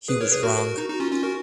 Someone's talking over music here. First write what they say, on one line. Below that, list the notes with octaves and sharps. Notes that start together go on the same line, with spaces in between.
He was wrong.
G#4 B4
A#4 C#5
G#4 B4
F#4 A#4
D#4 F#4
D#4 F#4
C#4 F4
C#4 F4
F#4 A#4